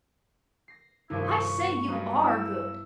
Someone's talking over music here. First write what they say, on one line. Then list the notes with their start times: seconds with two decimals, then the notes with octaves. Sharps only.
'I say, you ARE good.'
0.68 A#6 C7
1.10 C2 G2 D#3 F3 E4 D#7
1.24 C5 D#5 C#6
1.59 B3
1.88 G2 F#3 D#4 F4
2.22 E4 E6